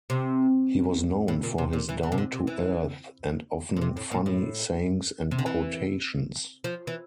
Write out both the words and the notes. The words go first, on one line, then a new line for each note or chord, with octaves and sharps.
He was known for his down-to-earth and often funny sayings and quotations.
C3
A2
A#2
C3
A#2
E3
E3
C3
D3
C3
E3
A#2
C3
A2
A#2
A2
C3
D3
E3
F3
E3